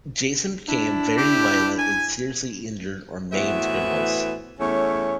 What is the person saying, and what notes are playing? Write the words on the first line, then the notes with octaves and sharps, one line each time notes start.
Jason became very violent and seriously injured or maimed criminals.
D4 E4
G4
G#5
A2 E3 B3 F#4 C5 E5
E2 A3 C#4 C#5